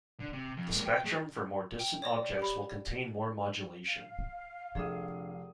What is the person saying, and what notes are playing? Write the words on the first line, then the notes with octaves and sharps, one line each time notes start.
The spectrum for more distant objects will contain more modulation.
D3
C3
F2
G#3 A#3
G5
A3 G#4
G5
C#5 D5 A#6
G4 B5
F5
F1 D3 G#4 A4 E5 D#6